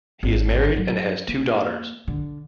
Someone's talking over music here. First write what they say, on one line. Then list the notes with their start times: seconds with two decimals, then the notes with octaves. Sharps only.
He is married and has two daughters.
0.23 G#1
0.76 F#3
1.28 A#3
2.08 D3